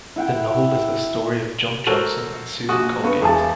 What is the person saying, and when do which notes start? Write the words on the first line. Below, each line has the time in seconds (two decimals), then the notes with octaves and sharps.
The novel is the story of John Johnson and Susan Colgate.
0.16 E4 F#5 G5
1.87 F#4 A4 A#4 C5 C#5
2.69 A#1 F#4 D#6
3.03 G2 B3 C#6
3.22 E1 E4 G#4 A5